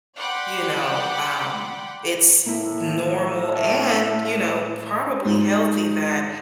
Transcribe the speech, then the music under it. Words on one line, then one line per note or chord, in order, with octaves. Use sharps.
you know, um, it's normal and, you know, probably healthy that
D5 F#5 G5 B5 C6 D6
A2 A#3 E4
E5 A5
G#2